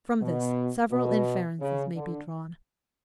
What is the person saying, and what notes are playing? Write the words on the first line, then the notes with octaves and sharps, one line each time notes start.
From this several inferences may be drawn.
B2
B2
C#3
D3